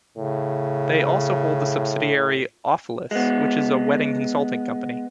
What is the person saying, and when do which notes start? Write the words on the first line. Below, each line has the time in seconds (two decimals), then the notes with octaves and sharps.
They also hold a subsidiary "Ofelis", which is a wedding consulting company.
0.17 A2 C#3
3.11 G#3 B3